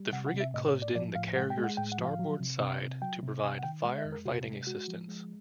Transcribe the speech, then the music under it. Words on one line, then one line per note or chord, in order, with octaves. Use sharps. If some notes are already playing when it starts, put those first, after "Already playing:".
The frigate closed in the carrier's starboard side to provide fire-fighting assistance.
Already playing: G3
C3 F#5
F#5
C3
E5
A2 D#5
C#5
A2
D5
F3 D5
A2 F5
G#3 F#5
G5
G#3
F#5
A2 G5
F#5
F3
F5
F#3
C3
C3
C3
F#3 G5
C3
C3 G#5
F#5
D#3 G5
G#3 F#5
E5
F2
A#4
C3 F#4
G#3
G#3 F#4
F3
G#3